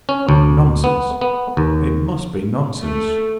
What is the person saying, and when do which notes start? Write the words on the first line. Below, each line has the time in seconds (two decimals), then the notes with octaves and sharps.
Nonsense; it must be nonsense!
0.09 C#4
0.29 D2
0.84 B3
1.21 B3
1.57 D#2
2.81 A3